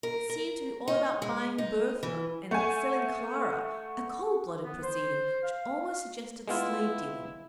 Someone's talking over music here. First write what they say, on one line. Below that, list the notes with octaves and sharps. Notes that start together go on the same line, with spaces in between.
It seemed to be all about buying Bertha and selling Clara--a cold-blooded proceeding which almost suggested slave-dealing.
A#4
A#4
D#4
G#3
D#4
E3
A3 F#5 G#5 C#6
B3
C5
F5
G#3 B3 E4 F4